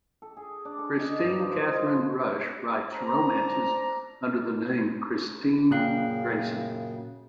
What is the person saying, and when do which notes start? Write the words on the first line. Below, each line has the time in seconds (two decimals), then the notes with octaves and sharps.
Kristine Kathryn Rusch writes romances, under the name "Kristine Grayson".
0.22 A4
0.37 G#4
0.65 D4
0.79 A4
0.99 D#5
1.19 G2
1.39 F3
1.58 D#5
1.72 C5
1.86 F4
2.91 C5 D5 A5 A#5
5.71 F#2 A#2 C#3 G#4 F5 G5 F#6